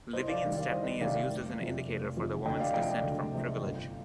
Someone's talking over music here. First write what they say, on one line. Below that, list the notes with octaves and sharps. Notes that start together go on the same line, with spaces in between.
Living in Stepney is used as an indicator for the woman's descent from privilege.
C2 C5 D#5
D5 F5
C3 D#3 G3
D5 F5
C2 C5 D#5
C3 D#3 G3 D5 F5
F1
F2 C3 F3
F1
F2 C3 F3
D2 D#5 G5
D5 F5
C3 F3 G#3 D#5 G5
D5 F5
D2
C3 F3 G#3
G1